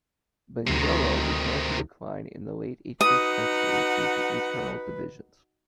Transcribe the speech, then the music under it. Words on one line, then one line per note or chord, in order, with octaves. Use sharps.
Bunyoro began to decline in the late eighteenth century due to internal divisions.
D2 C3 D#3
D#4 F#4 B4 F#5 D#6